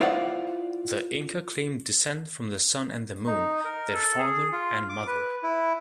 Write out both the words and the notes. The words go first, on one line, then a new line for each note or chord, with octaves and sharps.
The Inca claimed descent from the Sun and the Moon, their Father and Mother.
E4 F4 C5 D5 F5 F#5
D#4
A#4
A4
G#4
F4
D6
B4
E4